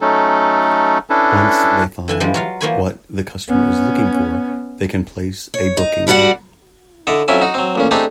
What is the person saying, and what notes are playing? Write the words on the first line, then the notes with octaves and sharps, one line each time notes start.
Once they find what the customer is looking for they can place a booking.
F#3 A3 C#4 D#4 A4
C#4 D4 E4 A4 B4
D3 E3 G#5
E3 F3 G3 G#3
F#3 F4 F5
E3 F3 A#3 C#5 G#5 B5
B3 C#4
C#5
D#4
G2 G3 F#4 D5 F#5
D3 E4 A4 D#5
F2 F#3 C#4 E4 E5 G#5
D#4 F#4
F#3 C4
A1 A#2 C#4
A3 C4 D4 D#4 G4 G#4